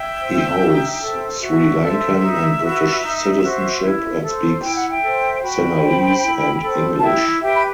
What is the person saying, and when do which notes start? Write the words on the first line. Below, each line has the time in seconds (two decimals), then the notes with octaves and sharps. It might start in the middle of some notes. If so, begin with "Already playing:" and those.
He holds Sri Lankan and British citizenship, and speaks Sinhalese and English.
Already playing: E5 G5
0.21 C5
0.61 D#4
1.01 A4 C5
1.41 F#4 E5
1.82 A4 C5
2.21 D#4
2.61 F#4 B4
3.02 D#4
3.42 F#4 C5
3.81 E4
4.22 A4 C5
4.61 E4 G5
4.75 F#5
4.89 E5 G5
5.01 A4 C5
5.41 F#4 G5 B5
5.82 C5
6.22 E4
6.62 A4 C5
6.98 A5
7.01 E4 E5 G5
7.42 G4 B4 E5 G5
7.53 B5